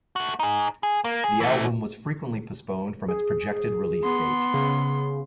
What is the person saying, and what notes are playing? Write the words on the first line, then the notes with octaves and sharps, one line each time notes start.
The album was frequently postponed from its projected release date.
A3 F#4
D#4 G#4
G#4
A#3
G#4
E3 A3
G#4
B3 C6
C#3